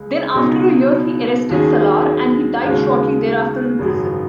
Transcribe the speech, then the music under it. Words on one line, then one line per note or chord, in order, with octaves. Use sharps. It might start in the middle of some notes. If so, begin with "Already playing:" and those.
Then after a year he arrested Salar and he died shortly thereafter in prison.
Already playing: C#2 C#3 G#3
C#2 B2 F#3 D#4
D#2 D#3 F#3 C#4 G#4
D#2 C#3 G#3 C#4 F#4
G#1 F#2 C#3 F#3